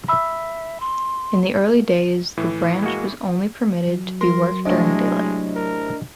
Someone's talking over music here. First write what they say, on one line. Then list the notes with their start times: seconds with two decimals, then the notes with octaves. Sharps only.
In the early days the branch was only permitted to be worked during daylight.
0.08 E5 B5 E6
0.80 C6
2.37 A2 E3
2.82 G#3 A#3 F#4
3.85 F#3
4.21 A#4 C6
4.66 A2 C3 G#3 D4 D#5
5.55 A#4